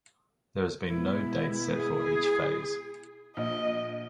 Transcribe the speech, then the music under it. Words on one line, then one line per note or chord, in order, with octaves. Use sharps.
There has been no date set for each phase.
B2 G#3 B3 E4
G#4
A#1 D#5